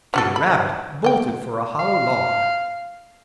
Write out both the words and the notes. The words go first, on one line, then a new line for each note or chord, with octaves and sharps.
Peter Rabbit bolted for a hollow log.
C#4 F#4 A4
B5
D#5 G5
F5